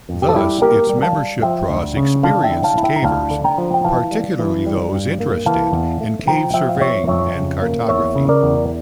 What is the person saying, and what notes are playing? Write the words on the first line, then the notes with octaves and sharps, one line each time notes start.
Thus, its membership draws experienced cavers, particularly those interested in cave surveying and cartography.
F2
G4
A4
G3 E4 G4
A#3 G4 A#4
G3
F5 A5
G3
F3 E5 G5
D2
C#3
D3 F5 A5
E5 G5
E4
F5 A5
E4
E5 G5
A#5
D2 F5 A5
D3
G5 A#5
F3
G5
E3 F5 A5
G3
E3
G3
G2
A#3
E3 F5 A5
E2
A3
F3 G5 A#5
F3 E5 G5
F5
F3 C#5 E5
F2 C#5 E5
C#3
A#3
E2 C#5 E5
C#3
A#4 D5
E2